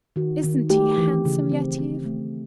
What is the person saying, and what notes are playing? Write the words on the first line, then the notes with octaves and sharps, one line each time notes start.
Isn't he handsome, Yetive?
D#3 F#4
D#3
A3 G4
E3
C#3
C4
C4
A3